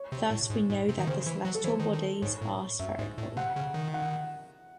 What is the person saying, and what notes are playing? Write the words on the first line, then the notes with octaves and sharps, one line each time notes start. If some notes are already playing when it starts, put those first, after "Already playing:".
Thus we know that the celestial bodies are spherical.
Already playing: C#5
C3
A2
G#2
G#2
C3
D#3
C#3 C5
E3
F#3
A4
E3 C5
D#3
D#3
G#2 C#5
A2
F#2 E5
G#2
A2
C3 F#5
C#3
D#3
F#5